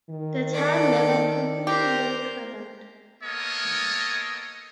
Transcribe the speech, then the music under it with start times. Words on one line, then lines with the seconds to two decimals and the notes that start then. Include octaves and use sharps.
The town never completely recovered.
0.10 D#3
0.53 A4 D5
1.67 G4 A#4 C5
3.23 A#3 B3 A4 A#4 C#5 D#5